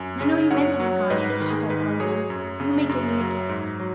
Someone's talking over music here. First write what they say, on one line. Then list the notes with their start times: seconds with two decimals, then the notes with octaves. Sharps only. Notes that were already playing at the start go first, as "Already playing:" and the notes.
"And I know you meant to be kind," she said, relenting, "so you may give me a kiss."
Already playing: F#2 G#5
0.21 C#3
0.50 F#2 C#5 F#5
0.80 F#3
1.10 G#2 B4 D#5
1.30 B4
1.40 D#3 B4
1.50 G#4
1.70 G#2 B4
2.00 F#3 G#4 C#5
2.30 F#2
2.60 C#3
2.89 F#2
3.20 F#3
3.49 G#2
3.80 F#3